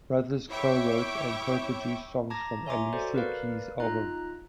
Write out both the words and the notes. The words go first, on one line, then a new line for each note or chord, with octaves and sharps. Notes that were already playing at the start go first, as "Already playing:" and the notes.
Brothers co-wrote and co-produced songs from Alicia Keys's albums.
E4 C#5 E5 G5 C#6 D6
A5 A#5 D6 G#6 A#6
C#5 E5 G#5 A#5 C6 D6
F#4 A4 C5 D5
A#4 B4 D5 F5
D#4 F4 A#5 F#6